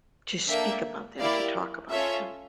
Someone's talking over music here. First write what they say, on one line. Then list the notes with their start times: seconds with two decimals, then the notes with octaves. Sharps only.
to speak about them, to talk about them,
0.48 A#3 D4 A4 E5 G5
1.19 A#3 E4 G4 D5 F5
1.91 C#4 F4 A4 C#5 E5